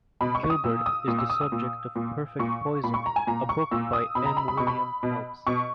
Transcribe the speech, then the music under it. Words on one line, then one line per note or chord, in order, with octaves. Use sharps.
Gilbert is the subject of "Perfect Poison", a book by M. William Phelps.
B2 B5
C#6
D#6
A#2 E6
D#6
A#2 D#6
E6
D#6
D#6
A#2
A#2
A#2 C#6
A#2 B5
C#6
A#5
G#5
A#2 A#5
C#6
A#2 E6
D#6
B2 B5
A#5
B5
B5
B2 C#6
B5
B2
B2 C#6